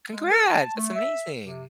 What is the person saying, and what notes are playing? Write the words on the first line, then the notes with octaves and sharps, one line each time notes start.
Congrats! That's amazing.
G#3
A#4
A5
A3
E5
C3